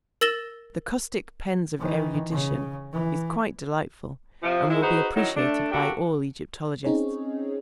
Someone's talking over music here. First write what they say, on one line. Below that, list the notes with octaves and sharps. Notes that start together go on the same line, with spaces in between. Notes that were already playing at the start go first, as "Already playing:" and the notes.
'The caustic pens of erudition' is quite delightful and will be appreciated by all Egyptologists.
A#4 E6 A6 A#6 E7 G7
D#3 E3
C#3
E3
C3 F3
G#3 E4
D#4 F#4 G#4 B4 C5
D#3 F#3 C#4 D#4 E4
A3 D4
A#3 D4 F#4 G4 A4
C4 C#4 D#4 G#4 C#5